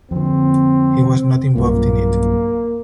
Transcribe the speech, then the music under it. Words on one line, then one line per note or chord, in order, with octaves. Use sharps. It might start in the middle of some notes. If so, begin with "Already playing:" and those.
He was not involved in it.
F2 D3 C4
B1 G2 A#2 A#3